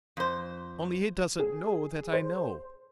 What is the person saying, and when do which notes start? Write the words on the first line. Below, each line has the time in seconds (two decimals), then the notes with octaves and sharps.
Only he doesn't know that I know.
0.17 F2 C5
1.39 G#4
2.13 C5